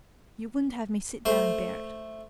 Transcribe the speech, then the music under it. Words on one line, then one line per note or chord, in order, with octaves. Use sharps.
You wouldn't have me sit down and bear it.
A3 C5